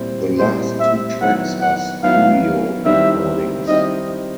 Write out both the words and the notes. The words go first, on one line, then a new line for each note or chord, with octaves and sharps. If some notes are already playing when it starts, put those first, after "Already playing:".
The last two tracks are studio recordings.
Already playing: A#2 G3 C4 E4
A#2 G3 C4 E4 C5
E5
D#3 F#3 B3 E4 F#5
F#5
D#3 F#3 B3 E4 F5
D#3 G3 C4 E4 E5
D#3 G3 C4 E4 D#5